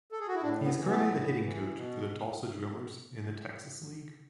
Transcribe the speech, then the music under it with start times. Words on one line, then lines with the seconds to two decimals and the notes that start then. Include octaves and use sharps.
He is currently the hitting coach for the Tulsa Drillers in the Texas League.
0.12 A4
0.20 G#4
0.28 F#4
0.35 E4
0.43 A2 D4
0.64 B3
0.76 E3
0.86 B3
1.09 A2
1.41 E3
1.75 B2